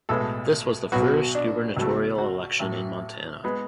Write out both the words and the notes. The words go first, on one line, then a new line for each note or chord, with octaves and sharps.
This was the first gubernatorial election in Montana.
B1 A2 G#3 B3 A4
B1 B2 F#3 B3 F#4
D4
C#2 B2 F#3 A3
F#4
A1 A2 F#3
G#3 B3